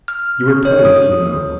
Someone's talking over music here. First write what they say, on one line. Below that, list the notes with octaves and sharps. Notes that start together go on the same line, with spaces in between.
You are tired, you know.
F6
C#5
D#6